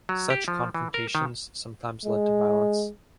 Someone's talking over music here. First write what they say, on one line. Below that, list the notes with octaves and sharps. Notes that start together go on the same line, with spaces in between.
Such confrontations sometimes led to violence.
F#3
G4
F3
E3
A#4
D#3
G#3